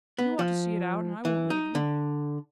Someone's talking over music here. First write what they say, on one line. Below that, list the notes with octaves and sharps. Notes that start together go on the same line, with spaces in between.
You ought to see it out, and I won't leave you.
B3
F3
E3
D#4
D3